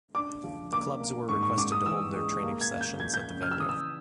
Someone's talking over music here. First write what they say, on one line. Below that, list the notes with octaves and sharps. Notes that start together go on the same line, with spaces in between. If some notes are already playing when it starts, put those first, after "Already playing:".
The clubs were requested to hold their training sessions at the venue.
D4 D6
F3
A#3 D6
A#3
G#2 C#6
C#6
G#2 D6
D#6
E3 E6
G#3
A#3
G#6
A#3
G6
F3 G#6
G6
C#3
F6
E6
E3 D#6
E6